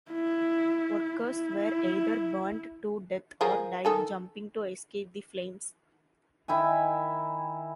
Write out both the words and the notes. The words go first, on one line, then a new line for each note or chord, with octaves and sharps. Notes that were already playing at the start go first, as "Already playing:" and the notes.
Workers were either burned to death or died jumping to escape the flames.
E4
E4
F3 G#4 A#4
D#3 A4 G#5
D#3 E4 G5 G#5